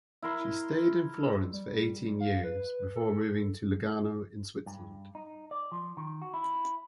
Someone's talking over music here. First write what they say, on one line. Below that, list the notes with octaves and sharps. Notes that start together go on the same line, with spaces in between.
She stayed in Florence for eighteen years before moving to Lugano in Switzerland.
E4 A#4 C6
G3
F5
B4
A4
G2
D#4
D5
F3
D#3
F#4
E4